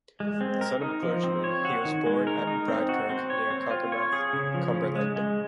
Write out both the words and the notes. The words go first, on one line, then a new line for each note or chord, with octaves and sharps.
The son of a clergyman, he was born at Bridekirk near Cockermouth, Cumberland.
G#3
C4
A#4
D#4
F3
C4
C#5
F#4
D#3
G#3
A#4
D#4
C4
F#4
C4
C#5
C4
F4
C#5
G#4
C#3
F3
C#3
G#3
G#3